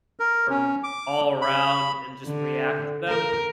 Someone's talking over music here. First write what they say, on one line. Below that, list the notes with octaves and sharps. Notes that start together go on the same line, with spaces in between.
from all around and just react to them.
A#4
C#4
D6
B5
D3
A#4